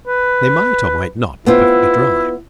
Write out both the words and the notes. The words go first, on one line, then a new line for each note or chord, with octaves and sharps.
They might or might not be perfectly dry.
B4
B3 C4 E4 F4